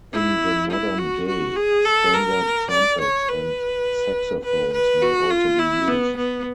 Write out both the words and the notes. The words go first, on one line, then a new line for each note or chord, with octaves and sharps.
In the modern day, standard trumpets and saxophones may also be used.
E4
E4
F#4
F#4
G#4
A4
A#4
D5
C#5
B4
B4
B4
F#4
F4
E4
B3
B3